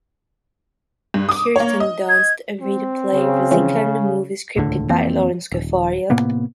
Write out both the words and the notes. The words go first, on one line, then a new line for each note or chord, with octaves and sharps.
Kirsten Dunst agreed to play Ruzicka in the movie scripted by Lorene Scafaria.
G2
D6 D#6
A#3 C#5
D#5
G#6
C4
C#3
E3 F3 C#4
D#1 C#2 A2 D3
F2 E3 A#3 C4
D#1
A2 C3 A#3 B3